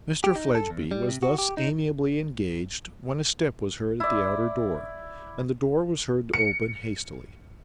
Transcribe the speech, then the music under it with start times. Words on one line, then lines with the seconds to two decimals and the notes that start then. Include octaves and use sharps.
Mr Fledgeby was thus amiably engaged when a step was heard at the outer door, and the door was heard to open hastily.
0.24 G4
0.36 D#4
0.55 A4
0.70 E2
0.91 G3
1.09 C3
1.23 F#4
1.38 G4
1.57 D#4
4.00 E4 D5
6.34 C#7